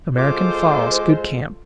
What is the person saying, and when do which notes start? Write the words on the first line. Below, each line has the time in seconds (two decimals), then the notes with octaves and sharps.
American Falls.--Good camp.
0.18 G#3 F4 A4 C5 D6